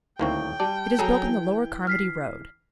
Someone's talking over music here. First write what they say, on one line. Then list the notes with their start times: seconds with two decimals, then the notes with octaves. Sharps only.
It is built on the lower Carmody road.
0.19 D#1 D2 A#3 C4 D#4 E4 G5 C#6
0.60 G3 D5 A5
0.99 F#3 G#4 A4 G#5 A#5
1.27 E3
1.87 F6 B6 C7